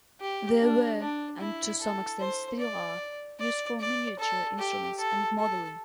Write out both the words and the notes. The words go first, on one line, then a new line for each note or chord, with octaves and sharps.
They were, and to some extent still are, used for miniature instruments and modelling.
G4
D4
D4
E4
A4
C5
D5
D5
D5
A4
G4
A4
A4